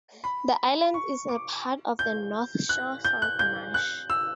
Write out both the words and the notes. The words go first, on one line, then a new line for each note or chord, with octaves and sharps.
The island is a part of the North Shore Salt Marsh.
B5
C#6
D6
G6
F#6
G6
F#6
G6
F#6
E6